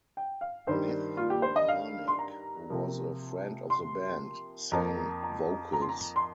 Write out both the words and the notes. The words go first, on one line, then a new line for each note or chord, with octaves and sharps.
Matthew Marnik, who was a friend of the band, sang vocals.
G5
F5
G2 D#3 G3 C5
F4
G4
C5
D#5
F5
C6
A#5
C3 F3 A#3
C6
F2 F3 A#3 A#5
A#5
A#5
C6
A#5
C6